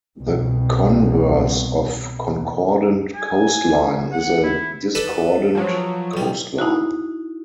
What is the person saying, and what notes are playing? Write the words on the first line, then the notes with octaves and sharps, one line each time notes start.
The converse of concordant coastline is a discordant coastline.
C2 B2
G#5
F#5
E4
A4 B4 D5
F3 F#3
B1 G3
D#4 E4 F#4